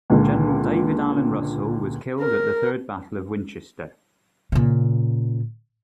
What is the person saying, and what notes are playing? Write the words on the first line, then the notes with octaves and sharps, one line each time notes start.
General David Allen Russell was killed at the Third Battle of Winchester.
C#2 A#2 D3
A#4
A#2 C#3